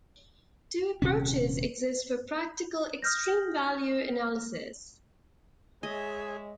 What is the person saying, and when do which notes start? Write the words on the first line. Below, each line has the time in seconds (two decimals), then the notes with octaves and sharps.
Two approaches exist for practical extreme value analysis.
1.02 D#1 C3 C#4
3.02 D#6 F6 G6 A#6
5.83 G#3 G#4 C#5 D#5 E5